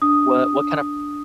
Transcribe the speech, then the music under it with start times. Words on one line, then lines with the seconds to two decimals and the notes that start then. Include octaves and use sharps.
What what kinda
0.02 D4 D#6